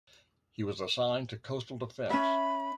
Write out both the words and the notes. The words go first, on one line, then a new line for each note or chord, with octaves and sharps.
He was assigned to coastal defense.
C#4 E5 B5